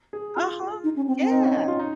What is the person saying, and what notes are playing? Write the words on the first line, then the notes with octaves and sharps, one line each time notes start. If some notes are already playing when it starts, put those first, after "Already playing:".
Uh-huh, yeah.
G#4
F4
D#4
C#4
C4
C4
D#4
C#4
D#4
F4
D#4